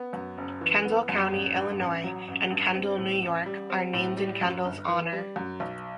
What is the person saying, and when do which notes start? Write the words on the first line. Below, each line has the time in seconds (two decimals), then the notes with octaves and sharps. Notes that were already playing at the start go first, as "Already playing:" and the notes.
Kendall County, Illinois, and Kendall, New York, are named in Kendall's honor.
Already playing: B3
0.13 F#2
0.38 F#1
0.61 E3
0.85 B3
1.09 F#2
1.32 A1
1.56 G2
1.80 A1
2.04 F#3
2.28 A1
2.51 G2
2.75 C4
2.98 A2
3.22 A1
3.46 G3
3.70 C4
3.93 A2
4.17 G3
4.41 F#2
4.65 G1
4.88 E3
5.13 G3
5.36 F#2
5.60 B1